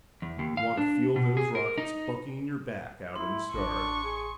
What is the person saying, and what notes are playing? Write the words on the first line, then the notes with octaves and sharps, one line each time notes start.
You want to feel those rockets bucking in your back out in the stars?
E2
D#2
F5
D4
B2
G#4
A#4
D#4
E4 C6
A1 D4 C#6
G#4